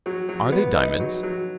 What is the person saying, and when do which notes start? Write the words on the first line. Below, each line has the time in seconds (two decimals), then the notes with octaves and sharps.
"Are they diamonds?"
0.06 F#3
0.29 F#3
0.52 B3
0.76 D#4
1.00 F#3
1.23 F#3